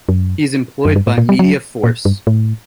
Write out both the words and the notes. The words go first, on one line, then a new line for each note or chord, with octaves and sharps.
He is employed by Media Force.
F#2
F#2
G2
A2
A#2
G3
F#3
A#2
G2
A2